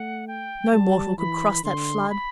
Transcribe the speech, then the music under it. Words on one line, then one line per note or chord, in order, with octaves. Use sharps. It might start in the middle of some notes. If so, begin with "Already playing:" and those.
'No mortal could cross that flood.
Already playing: A3 F#5
G5
G3 A5
E3 B5
D3 C6
B5